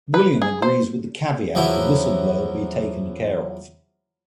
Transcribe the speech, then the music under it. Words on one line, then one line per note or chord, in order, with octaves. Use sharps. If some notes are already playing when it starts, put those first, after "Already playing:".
William agrees with the caveat the whistleblower be taken care of.
B4
G#4
C5
E2 F3 F#3 E4